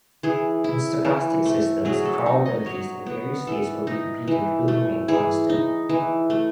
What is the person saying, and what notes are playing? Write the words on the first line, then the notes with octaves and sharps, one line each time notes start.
In stochastic systems, the probabilities that various states will be repeated will remain constant.
E3 G#4
E4
E3
A3
F#3 G#4
A4
D#4
D#5
F#3 C#5
B3
E3 A4
D#4
E3
A3
E3 G#4
D#4
E3
A3